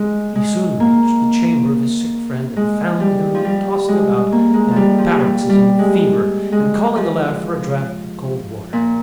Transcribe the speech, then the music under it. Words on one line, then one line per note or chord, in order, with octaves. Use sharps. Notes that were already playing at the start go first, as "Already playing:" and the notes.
He soon reached the chamber of his sick friend, and found him tossing about in a paroxysm of fever, and calling aloud for a draught of cold water.
Already playing: G#3
G#3
A#3
G#3
G3
F3
G3
G#3
A#3
G#3
F3 G3
F3
G3
G3
G#3
G#3
F3
A#2